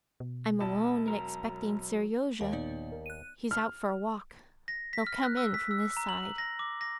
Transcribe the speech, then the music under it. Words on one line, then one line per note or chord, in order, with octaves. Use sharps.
"I'm alone, and expecting Seryozha; he's out for a walk; they'll come in from this side."
B2
E1 A5
F#3 A#4
D#2 A#4
A#2 A#3 B3 D#4 D5
A#4
F#6 D#7
F6
A#6
B6
F6
F#6
E6
B6
E6
A#5
F#7
A#6
D6
A#6